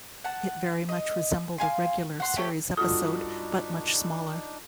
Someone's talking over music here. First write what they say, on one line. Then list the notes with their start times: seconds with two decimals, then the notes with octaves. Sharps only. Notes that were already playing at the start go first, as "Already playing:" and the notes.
It very much resembled a regular series episode, but much smaller.
0.24 F#5 A5
0.89 D#5
1.58 F5 G#5 C6
2.20 F#5 C6
2.36 A3 G4 A4 C#5
2.77 G2 D4 D#4 F4 F#4 A4 D#6